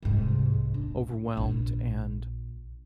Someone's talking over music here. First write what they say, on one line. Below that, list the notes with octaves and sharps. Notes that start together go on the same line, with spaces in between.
overwhelmed and
C2 G#2
D4
A#1